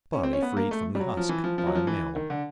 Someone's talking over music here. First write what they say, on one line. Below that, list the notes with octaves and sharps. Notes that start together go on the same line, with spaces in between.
Barley freed from the husk by a mill.
C#4
C4
C#4
B3
A#3
A3
G3
F#3
F3
E3
F3
F3
F#3
F3
E3
D#3
D3